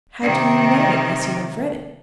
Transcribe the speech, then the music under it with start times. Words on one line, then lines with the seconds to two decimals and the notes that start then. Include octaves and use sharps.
"How do you know, unless you have read it?"
0.21 C3 D#3